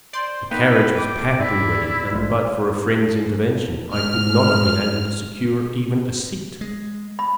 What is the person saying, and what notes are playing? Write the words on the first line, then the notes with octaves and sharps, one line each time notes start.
The carriage was packed already and but for a friend's intervention I could not have been able to secure even a seat.
C5 D5 C6
A#3 B3 D#4 B4 G5
D6
G#2 E4 D5
A#1 A2 F3 G#3
G#2 F6
G#3
B5